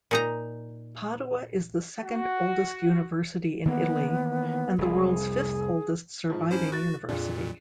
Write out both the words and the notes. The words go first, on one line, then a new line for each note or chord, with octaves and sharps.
Padua is the second-oldest university in Italy and the world's fifth-oldest surviving university.
A#2 D#4 A#5
F#4
D#3 E3 A#3 B3
F1 C2 G#4
G#2 F3
C#4 E4 C5
F#4 F#6 A6
F2 A#2 D4 F4 G#4